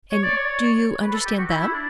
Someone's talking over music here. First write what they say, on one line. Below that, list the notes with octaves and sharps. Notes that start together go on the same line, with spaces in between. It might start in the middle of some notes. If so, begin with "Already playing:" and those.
"And do you understand them?"
C#5
D5
C#5
B4
A4
G4
F#4
E4
E4
D4